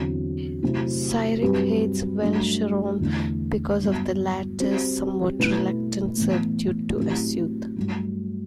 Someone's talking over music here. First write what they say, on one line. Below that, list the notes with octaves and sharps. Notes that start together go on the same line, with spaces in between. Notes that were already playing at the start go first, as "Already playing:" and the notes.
Cyric hates Velsharoon because of the latter's somewhat reluctant servitude to Azuth.
Already playing: E2 D3 F#3 C4
C3 F#3 A3 C4 E4
G2 F#3 C4 G4 B4
G2 F#3 A3 D4
E2 D3 A3
G2 F#3 B3
G3 C4 F#4 C5
B2 A3 E4 B4
A2 E3 B3
A2 F#3 C4 E4 G4
G2 F#3 A3